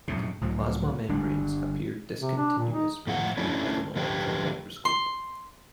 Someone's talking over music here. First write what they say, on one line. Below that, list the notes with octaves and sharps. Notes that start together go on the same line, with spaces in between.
Plasma membranes appear discontinuous when viewed with an electron microscope.
A#1 F#2 A2 C3
C#2 A2 F3 F#3
G1 G3 D4
C3
D4
A#2
D#4
A2 F3 F#5
A3 C#4 D4 E4
D3 F3 D4 G4 B4 G5
C6